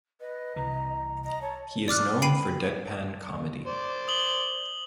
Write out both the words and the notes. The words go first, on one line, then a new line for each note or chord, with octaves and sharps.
He is known for deadpan comedy.
B4 D#5
C2 C3 E3 A#5
D#5 A#5
C#5 A5
D5 D6 F6 F#6
G5 B5 C7 D#7
C5 D5
D#6 F#7 G7